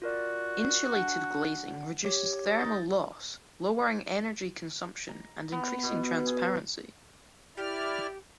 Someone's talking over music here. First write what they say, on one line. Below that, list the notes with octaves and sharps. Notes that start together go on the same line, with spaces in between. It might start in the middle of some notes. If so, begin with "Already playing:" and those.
Insulated glazing reduces thermal loss, lowering energy consumption and increasing transparency.
F4 F#4 A#4 D5
D4 F#5
G4 C#5
D#4 G6 A6
A#5
B3
B2
G#4
E4 G4 D5 F6